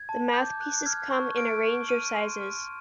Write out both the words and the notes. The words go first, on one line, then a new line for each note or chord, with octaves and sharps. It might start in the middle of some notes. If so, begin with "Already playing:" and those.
The mouthpieces come in a range of sizes.
Already playing: G#6
A5
D6 G6
F#6
F6 G#6
C#6
F6 D7
C#6
F6 D#7
C6
F6